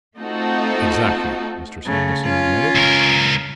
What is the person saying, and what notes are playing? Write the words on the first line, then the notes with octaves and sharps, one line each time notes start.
"Exactly!" Mr. Samuelson admitted.
A3 C4 D#4 F4 F#4 A4
C#3 A3
C#4 F4
C#2 A#4